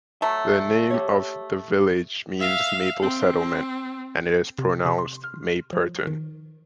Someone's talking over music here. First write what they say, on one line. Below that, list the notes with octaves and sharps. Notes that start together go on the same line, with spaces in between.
The name of the village means "maple settlement" and is pronounced "Mayperton".
F#3 A3 A5
G4 C#5
E5 F5
C4
C3
C3
C6
F6
F3
D#3